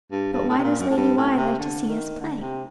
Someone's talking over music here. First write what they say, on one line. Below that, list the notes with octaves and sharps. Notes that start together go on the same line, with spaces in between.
But why does Lady Why like to see us play?
G2
G2
A2
C3
A#2
F#2
A2
G2
A2
C3
D3
D#3
D3
C3